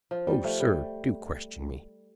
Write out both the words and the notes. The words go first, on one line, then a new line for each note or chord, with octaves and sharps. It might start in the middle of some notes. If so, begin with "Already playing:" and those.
"Oh, sir, do question me!"
F3
G3
F3 A3
G3